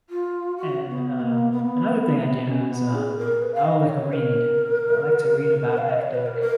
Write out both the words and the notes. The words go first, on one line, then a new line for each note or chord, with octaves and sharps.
and, um, another thing I do is, um, I'll, like, read. So, I like to read about academic
F4
F#4
B3
A#3
B3
A#3
B3
C#4
B3
G#4
A#4
B4
F5
D#5
C#5
A#4
F5
D#5
C#5
B4
A#4
A#4